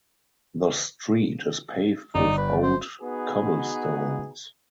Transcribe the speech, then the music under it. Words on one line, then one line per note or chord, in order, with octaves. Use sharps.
The street is paved with old cobblestones.
G1 D#4 D5
B4
C5
B3 D#4 F#4 G#4 B4